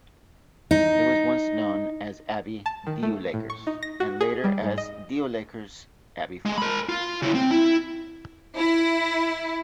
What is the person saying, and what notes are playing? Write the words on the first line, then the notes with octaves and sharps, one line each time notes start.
It was once known as Abbey Dieulacres, and later as Dieulacres Abbey Farm.
D#4
A5
D#3
A3
A2
C#6
D#4
A#6
F#4
G#4
G3
G#2
D#5
G#3
A#4 B5
F4
C#3 E4
C4
E4
E4